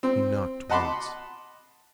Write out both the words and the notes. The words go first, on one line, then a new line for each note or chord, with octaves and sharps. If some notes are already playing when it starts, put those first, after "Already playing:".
He knocked once.
C4
D#5 F#5 A5 B5 C6 D6